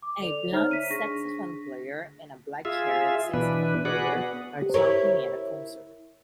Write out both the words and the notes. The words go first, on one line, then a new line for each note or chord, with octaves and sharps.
A blond saxophone player and a blackhaired saxophone player are talking at a concert.
D6
A4 D5 F7
D#4 C5 C#5 E5 A#5 F6
B6 D#7
D4 G#4 C#6 A#6 B6
F4 G#4 E5
B2 E3 D4 B4
F#4 G#4 B4 D5 F#5
B3
E4 A#4 C#5